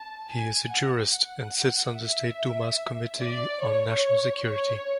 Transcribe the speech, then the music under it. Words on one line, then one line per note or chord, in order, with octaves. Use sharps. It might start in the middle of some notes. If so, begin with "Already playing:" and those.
He is a jurist, and sits on the State Duma's Committee on National Security.
Already playing: A5
G#5
F#5
F#5
E5
D5
C#5
C#5